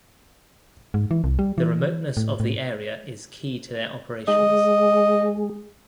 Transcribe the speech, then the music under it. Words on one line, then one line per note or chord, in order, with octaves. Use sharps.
The remoteness of the area is key to their operations.
G#2
E3
C2
G3
E3
A2
A2
G#3 D#5